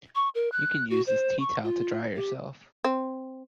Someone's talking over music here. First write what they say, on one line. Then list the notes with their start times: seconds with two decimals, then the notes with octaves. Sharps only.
You can use this teatowel to dry yourself.
0.15 C#6
0.35 A#4
0.52 F#6
0.90 F#4
1.07 C5
1.40 C#6
1.64 F4
2.15 G4
2.84 C4